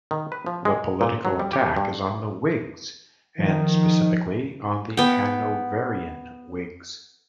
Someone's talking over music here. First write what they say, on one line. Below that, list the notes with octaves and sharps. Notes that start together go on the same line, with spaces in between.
The political attack is on the Whigs, and specifically on the Hanoverian Whigs.
D#3
B4
F3
G#3
A#2
F#3
G3
G4
G2
D#3 F3
B3 G5